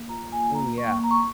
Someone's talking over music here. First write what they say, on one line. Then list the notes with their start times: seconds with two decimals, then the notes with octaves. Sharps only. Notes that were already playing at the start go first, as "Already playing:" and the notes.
Ooh, yeah.
Already playing: A#3
0.09 F4 A#5
0.32 A#3 G#5
0.54 A#3 A#5
0.78 A#3 C#6
1.00 A#3 A#5
1.11 C#6